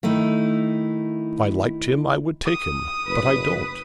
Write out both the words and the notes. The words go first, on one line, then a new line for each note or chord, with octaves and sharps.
If I liked him, I would take him, but I don't.
D#3 A3 D#4 E4
D#6
F#1 B4